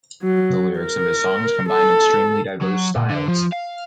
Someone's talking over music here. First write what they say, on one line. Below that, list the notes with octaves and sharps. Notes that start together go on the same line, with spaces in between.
The lyrics of his songs combine extremely diverse styles.
F#3
A#4
A4
F#3
A#2
D3
F3
F5